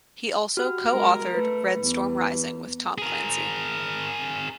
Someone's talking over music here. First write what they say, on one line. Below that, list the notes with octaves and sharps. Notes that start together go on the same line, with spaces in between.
He also co-authored "Red Storm Rising" with Tom Clancy.
F#4 G4 F6
G#3 A#4
A3 B4
E2
G#4 A#4